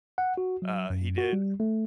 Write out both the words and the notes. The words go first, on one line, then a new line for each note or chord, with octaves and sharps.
Uh, he did.
F#5
F#4
F#3
F#2
F#4
G3
A3